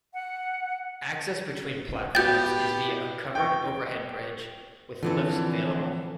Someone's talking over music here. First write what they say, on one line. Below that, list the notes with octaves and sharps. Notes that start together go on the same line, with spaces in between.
Access between platforms is via a covered overhead bridge, with lifts available.
F#5
B3 E4 F#4 G4 G5 G6 A6
G5 C#6
D3 E3 F3 C4 A4